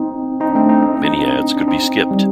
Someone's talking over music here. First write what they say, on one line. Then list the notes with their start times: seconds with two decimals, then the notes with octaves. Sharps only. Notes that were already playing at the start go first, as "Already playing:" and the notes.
Many ads could be skipped.
Already playing: C4 D#4
0.40 C4 D#4
0.50 D4
0.55 A3 C4
0.69 C4 D#4
0.83 D#4
0.94 D4
1.04 C4 D#4
1.25 C4 D#4
1.57 D4
1.68 C4 D#4
2.11 G3